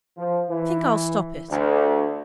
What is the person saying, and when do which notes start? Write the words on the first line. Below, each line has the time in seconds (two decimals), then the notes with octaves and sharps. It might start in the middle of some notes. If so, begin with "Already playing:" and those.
I think I'll stop it.
0.17 F3
0.49 E3
1.50 D2